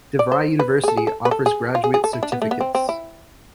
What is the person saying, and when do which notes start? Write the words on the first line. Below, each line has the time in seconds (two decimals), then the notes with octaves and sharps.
DeVry University also offers graduate certificates.
0.19 D5
0.32 C5
0.59 B4
0.84 G#4
0.88 A4
0.97 G#4
1.07 A4
1.25 B4
1.31 A4
1.46 G#4
1.75 F4
1.84 G#4
1.94 G#4
2.04 A4
2.13 E4
2.23 D4
2.32 B3
2.42 A3
2.51 B3
2.61 C4
2.75 C4
2.89 E4